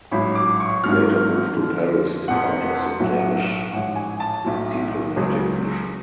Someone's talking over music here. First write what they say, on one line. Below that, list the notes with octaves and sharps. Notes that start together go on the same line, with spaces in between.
He later moved to Paris as part of the Danish diplomatic mission.
A1 G#2 F#3 B5
D6
C#6
G#1 G#2 F#3 F6
F2 D3 F3
F1 F2 F3 F#5
B1 A2 F#3
A1 G#2 F3 F#5
G#5
A5
B1 A2 F#3
C#2 C#3 F#3